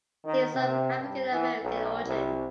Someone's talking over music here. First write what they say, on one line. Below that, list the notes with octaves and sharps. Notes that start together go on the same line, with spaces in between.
He is of African-American origin.
D#3
C3
G2
E3
B1
C2